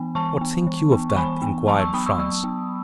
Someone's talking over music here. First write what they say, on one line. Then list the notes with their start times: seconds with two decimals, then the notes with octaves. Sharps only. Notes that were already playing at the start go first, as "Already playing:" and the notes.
"What think you of that?" inquired Franz.
Already playing: E3 B3 G#5 B5
0.15 E3 A5 C#6
0.41 B3
0.67 E3
0.92 B3
1.09 C#6
1.16 E3 G#5 B5
1.42 B3
1.67 F#3 A5 C#6
1.80 C#6 E6
1.94 B3 B5 D#6
2.06 C#6 E6
2.19 F#3 C#6 E6
2.44 B3